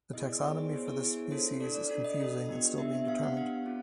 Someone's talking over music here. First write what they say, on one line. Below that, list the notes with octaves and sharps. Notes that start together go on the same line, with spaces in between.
The taxonomy for this species is confusing and still being determined.
B3 E4 G#4 D#5
D5
B3 E4 G#4 C#5
C5
B3 E4 G#4 C5
C#5
B3 E4 G#4
D4 F4 A4 C5
D4 F4 A4 D5
D5
D4 F4 A4
D#5
D4 F4 A4
B3 D4 G4
B3 D4 G4 E5
E5
B3 D4 G4 F5
F#5
B3 D4 G4 F5
C4 F4